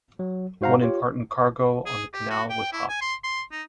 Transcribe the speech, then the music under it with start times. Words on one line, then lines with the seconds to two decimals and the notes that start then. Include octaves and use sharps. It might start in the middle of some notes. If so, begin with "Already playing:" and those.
One important cargo on the canal was hops.
0.19 F#3
0.61 G#2 F#4 C5 F5 F#5 A#5
0.82 F4 G4 C#5
1.86 G#4
2.13 G4
2.30 F#4
2.49 G5
2.73 E4
2.89 G#5
3.01 C6
3.24 C6
3.52 D#4